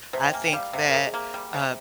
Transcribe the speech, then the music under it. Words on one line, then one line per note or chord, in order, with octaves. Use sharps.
I think that, uh,
C3 C5
G5
A#3 G#5
G5
G3 F5
C3 F5
A#4
C3 G#4
A#3
G3
C3